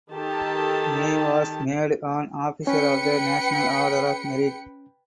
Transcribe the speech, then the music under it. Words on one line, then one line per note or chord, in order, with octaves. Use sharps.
Nay was made an Officier of the National Order of Merit.
D#3 G4 A4 A5
C#4 B4 G5 C#7